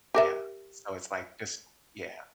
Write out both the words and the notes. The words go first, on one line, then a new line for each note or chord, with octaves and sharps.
Yeah. So it's like just yeah.
G4 A#4 E5